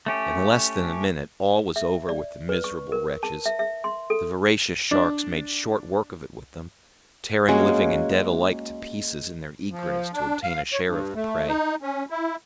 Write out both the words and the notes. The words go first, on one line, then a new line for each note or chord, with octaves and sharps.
In less than a minute all was over with the miserable wretches; the voracious sharks made short work of it with them, tearing living and dead alike to pieces in their eagerness to obtain a share of the prey.
A3 C#4 G4
E5
D5
B4
C#6
A#4
A5
E5
E5
C6
A4
D4
G#3 A#3 C#4 F#4
F3
D4
F5
C#5
G2
A3
D#4
C#4
E4